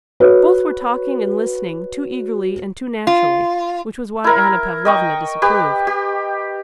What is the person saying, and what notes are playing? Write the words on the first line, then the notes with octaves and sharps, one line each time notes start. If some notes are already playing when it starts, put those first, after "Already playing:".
Both were talking and listening too eagerly and too naturally, which was why Anna Pavlovna disapproved.
F#4 B4 C#5
F4
E4 A#4
D#5 G5 C#6
G4 B4
G4